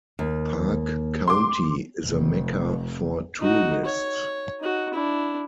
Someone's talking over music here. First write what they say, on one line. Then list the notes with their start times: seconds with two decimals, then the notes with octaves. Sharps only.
Park County is a mecca for tourists.
0.19 D#2
1.28 C6 D6
2.01 F1 F2
3.39 D#4 F#4
3.85 C#5
4.60 D#4 F#4
4.94 D4 E4